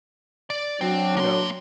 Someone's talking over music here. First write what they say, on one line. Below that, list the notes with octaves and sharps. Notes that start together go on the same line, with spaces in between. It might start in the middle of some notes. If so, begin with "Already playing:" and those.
you know,
D5
F#3 C4 D4
A#3 C6